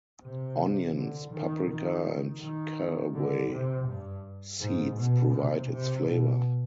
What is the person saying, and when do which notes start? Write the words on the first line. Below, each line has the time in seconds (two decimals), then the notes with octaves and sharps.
Onions, paprika and caraway seeds provide its flavour.
0.22 C3
0.94 D3
1.31 D#3
1.67 D#3
2.41 D#3
3.14 D3
3.51 C3
3.87 G2
4.60 G#2
4.96 B2
5.33 C3
5.70 C3
6.07 B2